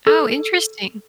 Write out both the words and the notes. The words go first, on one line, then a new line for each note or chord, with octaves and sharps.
Oh, interesting.
A4